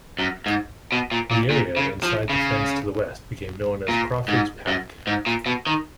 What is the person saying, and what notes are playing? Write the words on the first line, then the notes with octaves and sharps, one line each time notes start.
The area inside the fence to the west became known as "Crawford's Paddock".
F#2
G#2
B2
A#2
A#2
A#2
C#3
F3
C#3
A#2
G#2
F#2
G#2
A#2
B2
D#3